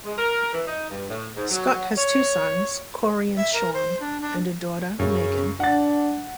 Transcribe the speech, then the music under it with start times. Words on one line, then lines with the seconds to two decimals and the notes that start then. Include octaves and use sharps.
Scott has two sons, Corey and Shawn, and a daughter, Megan.
0.04 G#3
0.17 A#4
0.53 E3
0.66 D#4
0.90 G2
1.08 A2
1.35 G#2
1.49 F#3
1.97 C#5
3.37 E5
3.53 A#4
3.74 C5
4.00 D4
4.21 D4
4.99 F#2 C#3
5.60 D4 F#5 A6